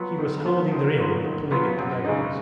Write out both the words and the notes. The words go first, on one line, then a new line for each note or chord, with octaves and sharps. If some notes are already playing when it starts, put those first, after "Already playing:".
He was holding her in, pulling at the reins.
Already playing: F#3 B3 F4
D#3
F#3 B3 F4
D#3
F#3 B3 F4
D#3
F#3 B3 F4
F#2
C#3 G#3 D#4